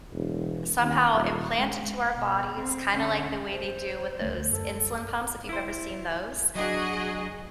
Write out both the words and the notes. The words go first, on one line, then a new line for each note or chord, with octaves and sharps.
somehow implant into our bodies, kinda like the way they do with those insulin pumps if you've ever seen those,
E1
D#2
D#1
G#3
B2
C4
D3 C#4
C5
D2 A3
F#2 A4
E4 C5
F#3 D4 F#4 G#4 D#5